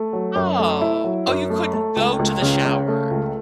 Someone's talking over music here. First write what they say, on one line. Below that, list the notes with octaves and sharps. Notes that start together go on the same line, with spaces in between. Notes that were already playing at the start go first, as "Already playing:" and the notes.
Oh. Oh, you couldn't go to the shower.
Already playing: A3
F#3
F#2
A3
E4
F#3
F#2
A3
A3
C#2
C#2
C#3
C#3
A3
C#2